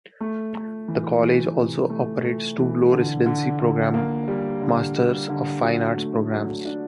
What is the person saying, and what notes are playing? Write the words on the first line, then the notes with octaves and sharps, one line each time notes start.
The College also operates two Low-residency program, Masters of Fine Arts programs.
A3
A3
E3
E3
C3
A3
A3
E3
D3
D3
D3
A#3
G3
D3
G3
D3
F#3
A3
F#3
D4